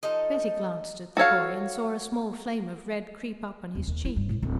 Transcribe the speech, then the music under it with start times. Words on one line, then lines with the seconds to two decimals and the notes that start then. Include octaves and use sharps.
Betty glanced at the boy and saw a small flame of red creep up on his cheek.
0.03 F3 D#4 A4 D#5
1.17 F#4 A4 C#5 F5
3.75 E2
3.88 D#2
4.05 E4
4.16 G2
4.29 A2
4.42 D1